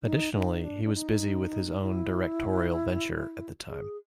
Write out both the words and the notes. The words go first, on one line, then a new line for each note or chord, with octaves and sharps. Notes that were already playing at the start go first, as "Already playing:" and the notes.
Additionally, he was busy with his own directorial venture at the time.
D#4
D#4
D4
D4
D#4
D#4
E4
G#4